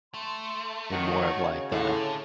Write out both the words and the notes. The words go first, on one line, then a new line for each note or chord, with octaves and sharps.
in more of like the
A3 C6
D#3 F#4 C#5
C#3
A2 D3 A5